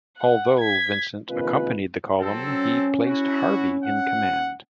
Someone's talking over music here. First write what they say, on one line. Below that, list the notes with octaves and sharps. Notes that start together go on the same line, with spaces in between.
Although Vincent accompanied the column, he placed Harvey in command.
F#5
G#6 B6
A#1 C3 D#3 G#3 F4 B4
F#3 C4 A4
C#4
E4 F#4
F#5